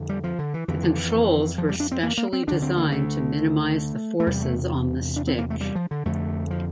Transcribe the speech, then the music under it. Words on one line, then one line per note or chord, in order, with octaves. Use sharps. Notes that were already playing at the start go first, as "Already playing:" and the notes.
The controls were specially designed to minimize the forces on the stick.
Already playing: F2 D3
G3
F3
D3
E3
F2 D3 E3
D3
E3
F3
G3
D4
C4
A#3
A#3
C4
D2 D3 D4
C4
A#3
A3
A3
E2 C3 G3
A3
D4
C4
A#3
A3
G3
F3
D3
F2 D3 A3
F3